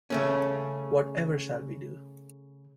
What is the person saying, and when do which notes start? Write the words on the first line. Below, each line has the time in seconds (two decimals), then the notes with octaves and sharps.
What ever shall we do?
0.10 C#3 A3 C#4